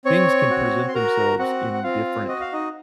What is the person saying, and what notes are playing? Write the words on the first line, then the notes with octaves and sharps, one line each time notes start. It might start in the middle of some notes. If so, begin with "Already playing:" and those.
things can present themselves in different
C4 C#5 C#6
F#4
C6
F#4 A#4 A#5
C4 F#4 F#5
F#5
C4 F4 F5
F#4 D#5
F5
D#4 D#5